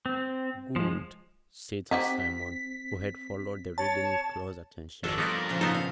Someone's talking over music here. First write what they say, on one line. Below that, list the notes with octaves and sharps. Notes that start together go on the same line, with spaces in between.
"Good!" said Sir Simon, who had followed the reading with close attention.
C4
F3 G#3
C4 D#4 F#4 G4 B6
C#5 A5
G#1 F#3 G#3 A4 D5
F2 G3 B3 D#4 F4 F#4 A#4 D5
A#2 C#3 F3
B3 C4 D#4 A4 C5
F5